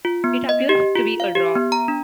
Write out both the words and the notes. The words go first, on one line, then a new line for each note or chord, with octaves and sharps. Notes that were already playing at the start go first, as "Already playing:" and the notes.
It appears to be a draw.
F4
B3
D#5
G4
F4
F5
G4
B3
A#5
D4